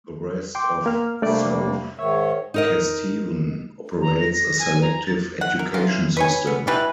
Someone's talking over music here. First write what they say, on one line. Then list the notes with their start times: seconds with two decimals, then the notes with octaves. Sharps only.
The rest of South Kesteven operates a selective education system.
0.55 G5 C6 D6
0.86 A#3 F6
1.22 C3 G3 A3 A#3 D4 D5
1.99 G#2 D#3 C#5 E5
2.54 D#4 A#4 D#5
4.01 A#5
4.20 A#6
4.33 A#6
4.59 G#5
4.82 A#5
5.06 A6
5.41 F#5
5.59 A#4
5.74 E3 F#3 F4 F5
6.17 B4 C#5 G#5
6.47 B3
6.67 B2 E3 G3 B4